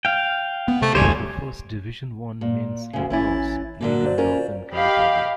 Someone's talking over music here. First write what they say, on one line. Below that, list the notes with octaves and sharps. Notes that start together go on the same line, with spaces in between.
It was the first Division One men's lacrosse played in Northern California.
F5 G5
B3
C3 A3
D2 G3 C5 C#5 G#5
A#2
D2 C#3
A1 E3 C#4 E4 A6
A#2 D3 F#3 A#3 A#4
C5 D5
C#4 F4 A#4
G4 D#5 F5 B5